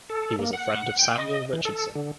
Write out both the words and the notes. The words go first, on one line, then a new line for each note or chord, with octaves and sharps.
He was a friend of Samuel Richardson.
A4
A#3
F#5
G5
D#5
E3
A4
D3